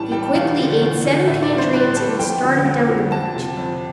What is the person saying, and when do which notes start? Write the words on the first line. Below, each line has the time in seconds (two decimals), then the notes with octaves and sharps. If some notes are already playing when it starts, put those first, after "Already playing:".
He quickly ate seven tangerines and started down the beach.
Already playing: A2 E3 G3 A5
0.12 E3 G3 G5
0.35 E2 F5
0.58 D3 F3
0.82 E2
1.04 D3 F3
1.27 A2 E5
1.43 D5
1.50 E3 G3
1.58 C5
1.73 A2 B4
1.96 E3 G3 A5
2.19 F2 G5
2.43 D3 F3
2.66 F2
2.88 D3 F3
3.11 F2 A5
3.35 C3 F3
3.57 F2